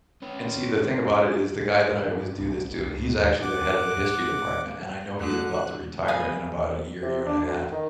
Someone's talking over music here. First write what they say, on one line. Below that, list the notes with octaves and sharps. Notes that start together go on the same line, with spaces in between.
And see, the thing about it is the guy that I always do this to, he's actually the head of the history department, and I know he's about to retire in about a year, year and a half,
C#4 B4
G2
C2
B1
C#2
D#2
F#5 D6
D3 A3 F#4 F#5 F#6
F5 G#5 B5 D#6
C3
D4
D2
D#3